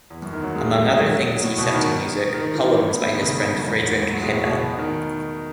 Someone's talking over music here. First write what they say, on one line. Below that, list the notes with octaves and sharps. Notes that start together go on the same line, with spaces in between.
Among other things he set to music poems by his friend Friedrich Hebbel.
E2
F#2
D#3
F#3
G#3
A3
A3
G#3
F#3
A2
B2
D#3
D#3
E3
A3
B3
A3
D#3
C#3
B2
G#2
F#2
E2
G#2
A2
A2
F#3
G#3
A2
B2
B2
D#3